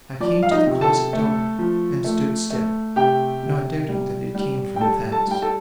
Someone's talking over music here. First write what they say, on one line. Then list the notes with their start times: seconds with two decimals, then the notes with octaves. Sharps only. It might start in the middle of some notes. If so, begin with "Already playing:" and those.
I came to the closet-door, and stood still, not doubting that it came from thence.
0.20 F3 D5
0.43 F5
0.51 D#4 D#5
0.66 C3
0.81 A4 A5
1.13 A3
1.59 F3
2.04 A3
2.51 A3
2.96 C3 G4 G5
3.43 C3
3.89 G3
4.35 G3
4.76 G5
4.80 G3 A4 A5
5.12 A4 A5
5.27 G3 G5
5.42 A4 A5